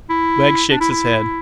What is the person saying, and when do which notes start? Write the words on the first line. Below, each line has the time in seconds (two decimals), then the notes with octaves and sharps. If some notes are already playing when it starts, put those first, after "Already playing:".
Wegg shakes his head.
0.10 E4
0.71 D4
0.81 E4
0.91 E4